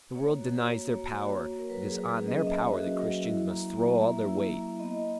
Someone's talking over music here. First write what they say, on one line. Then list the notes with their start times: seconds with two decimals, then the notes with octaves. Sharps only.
The world denies their power: it is on their power that Christians must throw all their weight.
0.15 A#3 C#5
0.41 F#4
0.67 A#3
0.92 A#3 C#5
1.18 F#4
1.44 A#3
1.59 A#4
1.70 F#3 B4
1.90 G#4
1.95 F#3
2.09 G#4
2.22 C#4
2.28 D#5
2.47 C#4 E5
2.74 F#4
2.99 F#3
3.25 E4
3.50 A#3
3.76 A#3
4.02 A#3 E5
4.28 E4
4.54 A#3
4.79 B3 D#5